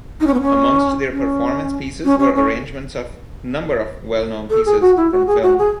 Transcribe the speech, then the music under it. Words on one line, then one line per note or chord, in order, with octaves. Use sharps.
Amongst their performance pieces were arrangements of number of well known pieces from Film.
D#4
C#4
B3
C#4
C#4
C#4
C#4
C#4
A4
G#4
F#4
E4
F#4
G#4
F#4
G#4